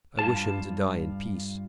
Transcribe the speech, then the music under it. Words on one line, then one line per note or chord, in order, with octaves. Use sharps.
"I wish him to die in peace."
G2 A#2 F4 A5